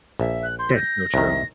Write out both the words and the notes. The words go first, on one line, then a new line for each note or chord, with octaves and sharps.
That's so true.
A#1 E5
F#6
C6 G6
G6 A#6
C2 D#3 E5